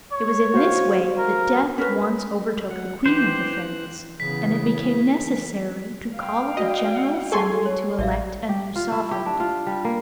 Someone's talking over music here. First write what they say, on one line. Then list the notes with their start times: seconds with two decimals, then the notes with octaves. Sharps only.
It was in this way that death once overtook the Queen of the Fairies, and it became necessary to call a general assembly to elect a new sovereign.
0.12 C#5
0.54 F#4 C5 F5
1.18 A#4
1.78 C#4 A#4 B4
2.71 F#3 F#5
3.06 E3 G4 C5 F#6
4.20 C#3 E3 B3 B6
6.15 F5 G5
6.57 F#4 D5 D#5
7.32 G#4 A4 G#5 C6 C#6
7.65 C#5
7.99 A1 D5 E5 F5
8.49 G4
8.76 F4
8.92 E4
9.11 G4
9.26 D4
9.40 F4
9.67 G3
9.85 A#3